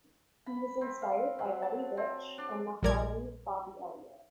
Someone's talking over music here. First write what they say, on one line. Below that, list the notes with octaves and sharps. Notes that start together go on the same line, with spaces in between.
He was inspired by Buddy Rich and The Hollies' Bobby Elliott.
B5
C4
F5
F#3
A5
C4
D4
A#1 A#2 G3 A#4 D5 G#6